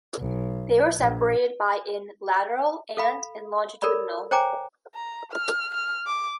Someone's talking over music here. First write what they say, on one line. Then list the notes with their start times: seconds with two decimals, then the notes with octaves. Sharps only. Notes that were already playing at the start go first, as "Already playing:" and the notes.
They were separated by in lateral and in longitudinal.
0.19 B1
1.00 A#1
2.97 A4 F5 B5
3.82 A4 A#4 C#5 D5 B5
4.31 C5 C#5 G5 G#5 A#5 D6
4.94 A#5
5.32 F6
5.74 F6
6.06 D6